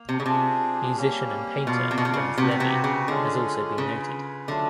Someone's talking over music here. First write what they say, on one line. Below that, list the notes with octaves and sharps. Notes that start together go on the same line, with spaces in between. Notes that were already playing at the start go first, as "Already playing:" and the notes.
Musician and painter Ras Levy has also been noted.
Already playing: A#3
C3
C#3
C3 D4 F4 G#4
G3 A#3 C#4
B2 F4 A#4 D5 F5
C3
B2
C3
C#3
C3 C4 D#4 F#4 B4
B2
C3
C#3
D3 G#3 C#4 F4 G#4
C#3 F4 G#4 B4
D3 F#3 A3 D4 F4